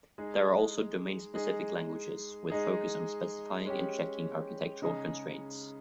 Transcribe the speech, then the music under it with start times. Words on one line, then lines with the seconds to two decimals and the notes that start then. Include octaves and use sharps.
There are also domain-specific languages with focus on specifying and checking architectural constraints.
0.18 G#3 D#4 G#4
1.34 G#3 D#4 G#4
2.50 G#3 D#4 G#4
3.65 G#3 C#4 G4
4.82 C#3 G#3 D#4 G#4